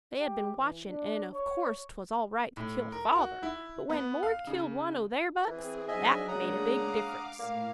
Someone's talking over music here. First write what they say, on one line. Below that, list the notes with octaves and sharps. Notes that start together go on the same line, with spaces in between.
They had been watchin' an', of course, 'twas all right to kill Father, but when 'Mord' killed one o' their bucks, that made a big difference.
G4
E3
D4
C#5
A2
A#4
F#4
E4
B3
F5
C#3
E3 C4 G#4
G#2 F#3 D4 D#5 E5 G#5
C#3 G#3 A#3 D4 F#5 A#5 D#6
F5 D6
A2 A#3 F5